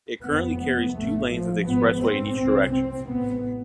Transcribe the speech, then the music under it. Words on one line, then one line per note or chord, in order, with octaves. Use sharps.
It currently carries two lanes of the expressway in each direction.
F1 F2 C3 B3
B3
A1 A2 A3
F3
G#1 G#2 B3
C4
C2 C3 C4
C4
A1 G#2 B3